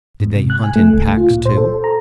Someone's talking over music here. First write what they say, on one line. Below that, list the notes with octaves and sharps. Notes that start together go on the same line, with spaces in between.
Did they hunt in packs, too?
G#2
C3
F#6
G#5
A3
C#2
F4
A#2
C5
A4
A#5